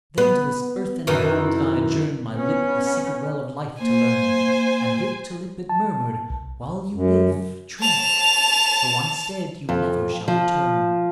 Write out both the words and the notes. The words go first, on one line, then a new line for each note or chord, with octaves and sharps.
Then to this earthen Bowl did I adjourn My Lip the secret Well of Life to learn: And Lip to Lip it murmur'd--"While you live, Drink!--for once dead you never shall return."
B3
F#2 D#3 E3
B3 C#4
A#3 C5 G#5
A5
C2
F#2
A5 F7
F2
F3